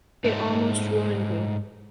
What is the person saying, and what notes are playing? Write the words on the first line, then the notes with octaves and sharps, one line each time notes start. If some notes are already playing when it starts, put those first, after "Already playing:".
It almost ruined me.
G#2 A3